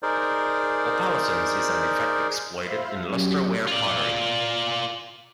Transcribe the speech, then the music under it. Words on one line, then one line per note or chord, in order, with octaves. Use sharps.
Opalescence is an effect exploited in lustreware pottery.
D#4 G#4 A#4 C5 D5
C5 E5 F5 B5 C6
F#3 C#4 G4
F4 D5